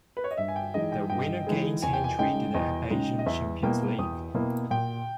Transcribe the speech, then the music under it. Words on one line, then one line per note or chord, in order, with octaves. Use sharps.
The winner gains entry to the Asian Champions League.
B4
C#5
D#5
G2 E5
G#5
G5
E3 G#3 D#4 G#4 D#5
G5
G2 G5
E3 G#3 D#4 G#4
E2 G#5
G5
G#5
C#3 G#3 D#4 G5
E2 D#5
C#3 G#3 D#4
D#5
E2 E5
B2 A#3 E4 G5
E2 D#6
B2 A#3 E4
A#2 G5